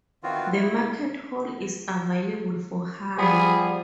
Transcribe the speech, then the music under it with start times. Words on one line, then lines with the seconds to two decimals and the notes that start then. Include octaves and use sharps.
The market hall is available for hire.
0.23 D#3 E3 B3 C4 F4 F#4
0.52 E4
3.18 F3 G3 B3 G#4